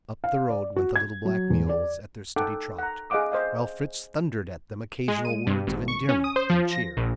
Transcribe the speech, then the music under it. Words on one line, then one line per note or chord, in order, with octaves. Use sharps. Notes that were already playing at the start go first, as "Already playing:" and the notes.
Up the road went the little black mules at their steady trot, while Fritz thundered at them occasional words of endearment and cheer.
F5
D5
F#4
G#6
F#3
E2
D5
D#4 A4 F#5 G5 D6
F#5 A#5
G#4 D#5 F5 F#5 D6 D#6
C5 D#5 F5
G#3
D#7
G2
G#1
C#6
C#4
D#6
C5
F3
A#6
A#1